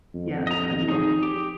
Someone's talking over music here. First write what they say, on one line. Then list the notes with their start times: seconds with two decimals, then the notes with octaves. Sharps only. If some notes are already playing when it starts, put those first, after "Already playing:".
Yes. I will.
0.14 F2
0.47 D#5 A#5
0.88 D#4 G#4
1.23 G4